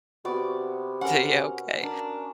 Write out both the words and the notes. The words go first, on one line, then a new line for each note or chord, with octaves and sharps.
Tuh yeah, okay.
C3 B3 F#4 D5
C#4 A#4 F#5
D4 A#4